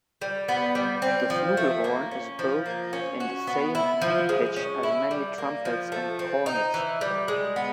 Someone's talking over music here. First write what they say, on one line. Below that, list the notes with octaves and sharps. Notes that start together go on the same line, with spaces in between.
The flugelhorn is built in the same B pitch as many trumpets and cornets.
G3
B3
G3
C4
F3
A3
A#3
C#4
F3
A#3
C#4
F#4
B3
E4
F3
G#3
C#4
E4
G3
A#3
F3
A3
C4
D#4
E3
G3
G#3
B3